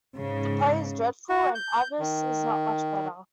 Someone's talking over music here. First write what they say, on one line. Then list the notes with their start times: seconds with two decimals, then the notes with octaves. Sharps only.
The play is dreadful, and Avice is not much better.
0.17 G#2 C#3
1.29 F#4
1.55 G6
1.99 D#3